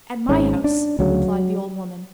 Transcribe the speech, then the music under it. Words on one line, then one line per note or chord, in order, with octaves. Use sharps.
"At my house," replied the old woman.
G#1 G#2 C#4
D4
D2 C#3 F#3